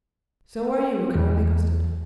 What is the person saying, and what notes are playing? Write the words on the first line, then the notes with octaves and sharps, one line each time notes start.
"So are you a cowardly custard."
E2